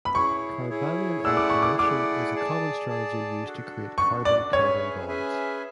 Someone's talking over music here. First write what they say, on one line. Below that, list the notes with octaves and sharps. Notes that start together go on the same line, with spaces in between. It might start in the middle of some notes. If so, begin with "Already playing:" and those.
Carbanion alkylation is a common strategy used to create carbon-carbon bonds.
B5
E4 G#4 C#5 C#6
E4 G#4 C#5
A3 E4 G#4 D5 F#5 E6
D6
C#6
D6
A3 E4 G#4 D5 F#5 D6
G#4 D5 A5
G#4 D5 A5
D4 F#4 A4
D4 F#4 A4 C#6
D5
C#4 G#4 B4 C#5 E5 G#5
C#4 G#4 B4 E5 G#5